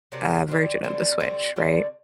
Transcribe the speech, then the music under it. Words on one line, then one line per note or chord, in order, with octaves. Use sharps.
uh, version of the Switch, right?
C3 F#3 A#3 D4
D3 G3 C4 F#4
D3 G3 C4 F#4
D3 G3 C4 F#4
D3 G3 C4 F#4